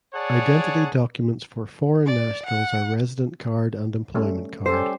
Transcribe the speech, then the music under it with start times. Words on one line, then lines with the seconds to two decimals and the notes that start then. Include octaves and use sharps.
Identity documents for foreign nationals are resident card and employment card.
0.14 G#4 C#5 D5 F#5 A5
2.06 D5
2.46 F#5
4.15 G3 A3 C#4
4.66 G3 C#4 G4 A4 C5